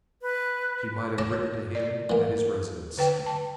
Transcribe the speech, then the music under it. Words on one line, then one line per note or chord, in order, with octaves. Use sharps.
She might have written to him at his residence.
B4
C#5 A5 D6
D5
E3 A#3
D3 B4 G5
A5